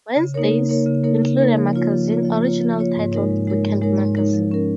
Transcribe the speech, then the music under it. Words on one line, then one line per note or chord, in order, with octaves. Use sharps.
Wednesdays include a magazine, originally titled Weekend Magazine.
C#3
A#3 D#4 A#4 C#5
C#3
A#3 D#4 A#4 C#5
C#3
A#3 D#4 A#4 C#5
C#3
A#3 D#4 A#4 C#5
F3
A#3 F4 C#5
F3
A#3 F4 C#5
F3
A#3 F4 C#5
F3
A#3 F4 C#5
G#2
G#3 D#4 A#4 C#5
G#2
G#3 D#4 A#4 C#5
G#2
G#3 D#4 A#4 C#5
G#2
G#3 D#4 A#4 C#5
F3
C#4 A#4